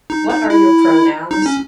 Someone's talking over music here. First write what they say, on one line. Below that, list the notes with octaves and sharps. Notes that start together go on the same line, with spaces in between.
What are your pronouns?
D#4
D#4
E4
D#4
C#4